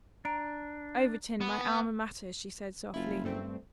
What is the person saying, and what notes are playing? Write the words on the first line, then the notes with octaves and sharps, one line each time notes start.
"Overton, my Alma Mater," she said softly.
D4 A#5 D7
B3
F#1 E4 F4
G2 A3 C4